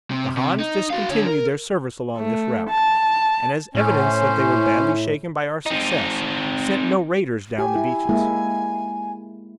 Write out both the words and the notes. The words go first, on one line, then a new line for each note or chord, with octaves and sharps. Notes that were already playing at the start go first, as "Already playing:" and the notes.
The Hans discontinued their service along this route, and as evidence that they were badly shaken by our success, sent no raiders down the Beaches.
C3
C3
D#4
F#4 F5
D3 C#5
A#4
A3
A5
A2 C#4 C5
E4
C4 D#4
G4 G#5
E4
G#3 A#3 E4